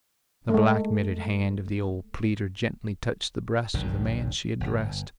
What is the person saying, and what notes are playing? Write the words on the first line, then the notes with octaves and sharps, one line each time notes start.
The black-mitted hand of the old pleader gently touched the breast of the man she addressed.
G#3 A3
F#1 B1 G2 D#3
G1